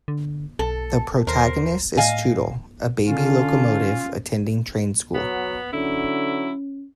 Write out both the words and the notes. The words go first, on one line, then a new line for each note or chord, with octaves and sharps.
The protagonist is Tootle, a baby locomotive attending train school.
D3
B1 A4
D#2 A#4 C5
A2 D#5 F5 G#5
D3 C#4 F4
F#3 B3
D3 F#3 C#4 E4